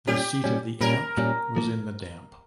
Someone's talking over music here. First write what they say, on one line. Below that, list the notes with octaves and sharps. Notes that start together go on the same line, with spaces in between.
The seat of the "Amt" was in Damp.
A#2 G3 C#4 G4
A#2 G3 C#4
A#2 G3 C#4 A#4
A#2 G3 C#4
F3 A#3